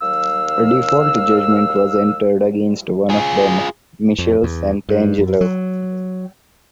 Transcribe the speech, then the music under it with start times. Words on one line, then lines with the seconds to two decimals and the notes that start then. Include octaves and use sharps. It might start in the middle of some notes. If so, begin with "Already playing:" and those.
A default judgment was entered against one of them, Michelle Santangelo.
0.02 D#2 F5 E6
3.10 F4 G#4
4.18 F2
4.43 E2
4.89 G2
5.19 F#2
5.41 F#3